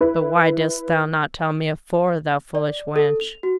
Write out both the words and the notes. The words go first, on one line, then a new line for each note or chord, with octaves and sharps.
'But why didst thou not tell me afore, thou foolish wench?'
E4 B4
D5
A4
F7
F#4